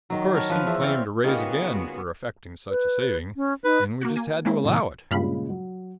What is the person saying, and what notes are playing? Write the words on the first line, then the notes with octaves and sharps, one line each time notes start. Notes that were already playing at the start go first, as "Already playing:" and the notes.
Of course he claimed a raise again for effecting such a saving, and we just had to allow it.
D#3 F#3
A#4 C#5 A5 B5
F3 B4 F5
E2 E4
C4 C#5 D5 F5
C#3 G3 A#3 B3 D#4 F4 F#4 G#4
B4
C#4
D#4 B4
A#3 F#4 F#5
A#3 G#5
G#3 A#3 C4 C#4 E4
F#2 A2 C3 D#3
G2 A#2 C#3 G#3 F5 B5
F#3